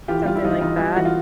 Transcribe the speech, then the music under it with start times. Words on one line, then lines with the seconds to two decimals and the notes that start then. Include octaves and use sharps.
something like that
0.08 E3 F4 G4
0.25 G3 F4
0.36 E4
0.43 E3 D#4 F4
0.61 E3 D#4 F4
0.79 G3
0.96 E3 F#4
1.05 F4